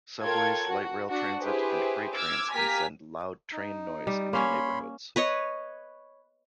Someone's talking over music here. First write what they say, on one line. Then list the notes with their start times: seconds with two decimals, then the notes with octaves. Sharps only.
Subways, Light Rail transit and freight trains can send loud train noise into neighborhoods.
0.22 F4 A4 A#4 C#5 G5 G#6
0.66 F#4
1.09 D4 F#4
1.39 E4 G4 G#4 B4 C5
2.13 D6 E6 F6 G#6
2.53 A#3 G4 G#5 A#5 F6 B6
3.52 D#4
4.07 G3
4.33 A#3 C#4 C#5 B5 C6
5.16 B4 C#5 D#5